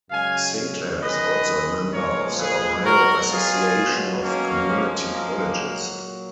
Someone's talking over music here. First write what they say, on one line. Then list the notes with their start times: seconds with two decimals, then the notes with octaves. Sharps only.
Sinclair is also a member of the Ohio Association of Community Colleges.
0.10 F#2 C#3 G#3 F5 G#5
1.02 F#2 D#3 G#3 B4 D#5
1.93 A#2 F3 G#3 A#4 C#5
2.39 G#4 B4
2.84 B2 F#3 F#4 A#4
3.30 F4 G#4
3.76 B2 F#3
4.21 A#3 C#4
4.68 F#2 F3 G#3
5.13 A#3
5.59 A#2 F#3